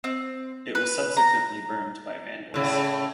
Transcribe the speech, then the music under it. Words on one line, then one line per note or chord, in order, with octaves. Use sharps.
It was subsequently burned by vandals.
C4
B4
A#5
A2 C#3